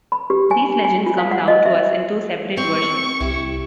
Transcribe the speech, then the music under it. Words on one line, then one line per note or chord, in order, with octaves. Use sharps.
These legends come down to us in two separate versions.
B5
G4
G#5
G#5
F4
F5
F#5
D#5
E5
C4 C#6
C2 E4 G4